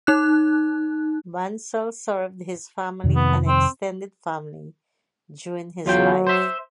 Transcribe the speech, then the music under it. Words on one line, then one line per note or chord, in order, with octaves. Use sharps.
Bansal served his family and extended family during his life.
D#4 F#6
F2 C3 D#3
B3
C4
E2 F#3 F4 G5
C5 E5